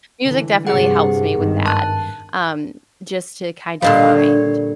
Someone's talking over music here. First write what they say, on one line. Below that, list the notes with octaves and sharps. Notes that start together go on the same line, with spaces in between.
Music definitely helps me with that, um, just to kind of find,
D3 E3
G2 C3 G4 G#4 F#5
G#1 G2 D#3
A5 F#6
A#2 D3 G3 D#5 F5 D#6
C#5